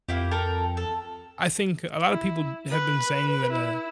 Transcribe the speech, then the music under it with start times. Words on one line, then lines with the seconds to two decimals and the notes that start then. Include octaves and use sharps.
I think a lotta people have been saying that, uh
0.09 F2 A#3 E4 G4
0.31 A4 A#4 G5
0.77 A4
2.08 E4
2.71 B4
3.52 E4